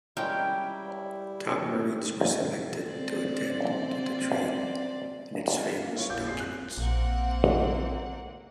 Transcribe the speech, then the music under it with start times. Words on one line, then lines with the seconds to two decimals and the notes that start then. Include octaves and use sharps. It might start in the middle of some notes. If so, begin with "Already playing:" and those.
Top Marines were selected to attend to the train and its famous documents.
0.17 G3 G#3 C#4 E4 A#4 G5
2.85 C4 D5
5.82 A#3 F4
5.95 E4 F4 C#5
6.09 A1 A#2 D6 G6
6.28 G#1 C4 G#4 C7
6.40 F#6
6.78 A#1 A#3 C4 F#5